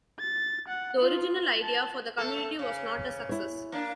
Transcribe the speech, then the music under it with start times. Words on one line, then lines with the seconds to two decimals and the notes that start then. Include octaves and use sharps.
The original idea for the community was not a success.
0.19 A6
0.68 F#5
1.00 F4
1.62 A5
2.18 A3 A4
2.59 C#3
3.29 E4 C#5
3.72 A#3 D4